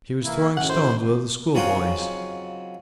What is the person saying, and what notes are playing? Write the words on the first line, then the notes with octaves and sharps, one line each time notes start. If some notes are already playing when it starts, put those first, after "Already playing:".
He was throwing stones with other schoolboys.
E3 A#3 E4
F#2 A2 F#5
C5
C#3 F#3 C4 D#4 F4 F#4